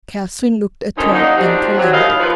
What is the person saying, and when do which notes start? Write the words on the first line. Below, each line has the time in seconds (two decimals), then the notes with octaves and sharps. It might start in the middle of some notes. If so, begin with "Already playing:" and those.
Catherine looked at her and relented.
0.98 F2 D3 D#3 F#3 C#4 D#4
1.13 F#3 A#3 D4 D#4
1.37 F3 C4 D4 F#4 G4
1.77 F#3
1.93 D#2 E4 G#4 D#5 F5
2.19 F3 B4